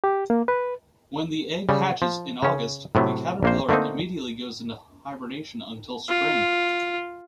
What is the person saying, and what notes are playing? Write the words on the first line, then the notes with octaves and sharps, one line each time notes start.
When the egg hatches in August, the caterpillar immediately goes into hibernation until spring.
G4
A#3
B4
C#3 G3
F3
C#3 C#4
A2 C3 F#3 A3
A#1 A#3 C5
D3 A3 A#3 C4 D#4
F4